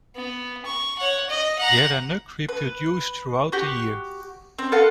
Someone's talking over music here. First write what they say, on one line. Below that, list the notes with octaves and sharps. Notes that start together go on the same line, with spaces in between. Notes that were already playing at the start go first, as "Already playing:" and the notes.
Gerenuk reproduce throughout the year.
B3
C#6
C#5 F#5
D#5
F#5 A#5
B4
F#4 G4
C4
A4 B4 F5 F#5